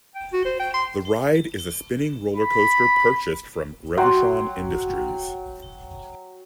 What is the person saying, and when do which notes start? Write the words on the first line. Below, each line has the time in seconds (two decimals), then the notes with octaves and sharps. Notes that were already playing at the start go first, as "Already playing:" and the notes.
The ride is a spinning roller coaster purchased from Reverchon Industries.
0.15 G5
0.32 F#4
0.45 C5
0.59 G5
0.74 C6
2.37 B5
3.97 F#3 F#5 G5 C6